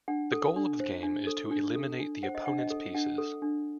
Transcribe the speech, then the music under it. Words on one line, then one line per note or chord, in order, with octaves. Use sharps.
The goal of the game is to eliminate the opponent's pieces.
D4 F#5
A4
D4
C5
D4
A4
D4
A4
D4
C5 F#5
D#5
D4 F#5
D#5
A4
D4 F#5
A4
D4